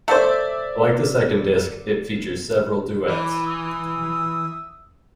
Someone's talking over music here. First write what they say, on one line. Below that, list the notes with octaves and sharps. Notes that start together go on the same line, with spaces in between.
Like the second disc, it features several duets.
A3 C5 D5 E5
E3 B5 D6
E5 D#6 E6